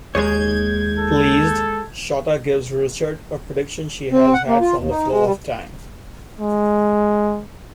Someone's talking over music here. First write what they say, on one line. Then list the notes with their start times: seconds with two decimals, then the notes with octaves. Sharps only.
Pleased, Shota gives Richard a prediction she has had from the flow of time.
0.15 D#2 G#3 G#4 C#5 G6 G#6
0.99 A4
4.12 C4
4.34 F#5
4.48 A#3
4.61 F4
4.78 D#2
4.90 D#4
5.10 G#3
5.25 G3
6.40 G#3